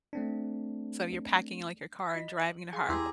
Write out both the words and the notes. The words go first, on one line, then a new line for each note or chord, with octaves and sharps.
So you're packing, like, your car and driving to her.
A3 C4 D4
F4 D#5 B6
F#7
G#4 F5 G#5 C6
E2 E4 G4 G#4 A#5 C6 E6